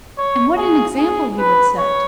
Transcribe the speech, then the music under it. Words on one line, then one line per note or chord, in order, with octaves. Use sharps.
And what an example he would set!
C#5
G#4
G#4
B4
C#5